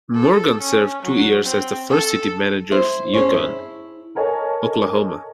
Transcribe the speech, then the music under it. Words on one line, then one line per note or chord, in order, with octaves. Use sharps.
Morgan served two years as the first city manager of Yukon, Oklahoma.
A4
C#4
F#3
C4
A4
E4 C5
C#4 D4 F#4 G#4 C5 C#5
E4
A4 A#4 C#5 D#5 G#5 A5